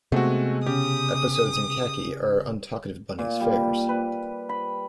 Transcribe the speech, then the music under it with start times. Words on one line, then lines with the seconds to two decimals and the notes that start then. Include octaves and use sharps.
Episodes in khaki are Untalkative Bunny's fairs.
0.12 C3 G#3 A3 B3 C4 F#4
0.66 C#3 G4 D#6
3.19 A#2
3.41 G3
3.89 B4
4.49 B5